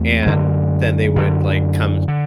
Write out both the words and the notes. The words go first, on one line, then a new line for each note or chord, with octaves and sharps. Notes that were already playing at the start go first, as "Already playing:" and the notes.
And then they would, like, come
Already playing: E2 A3 C4
F#2 D3
F#2 D3
D3